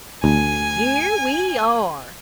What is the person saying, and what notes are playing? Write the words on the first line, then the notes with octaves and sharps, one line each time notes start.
"Here we are!"
D2 G#5